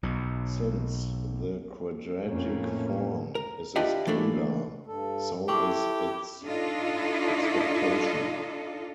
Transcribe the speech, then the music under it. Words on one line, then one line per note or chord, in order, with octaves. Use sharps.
Since the quadratic form is a scalar, so is its expectation.
B1 B2
F2 A2 A3 A#3 C#4
A#4
D4 E4 F4 G4 D5 D#5
E3 A3 A#3 D4
G2 A4
E4 G4 A4 G5 C#6 D6
D4 D#4 F4 A4 D#5